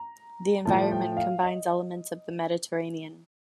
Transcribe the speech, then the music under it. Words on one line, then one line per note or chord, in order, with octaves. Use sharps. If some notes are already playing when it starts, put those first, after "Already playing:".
The environment combines elements of the Mediterranean.
Already playing: A#5
A2 F3 A5
G5
F5
D#5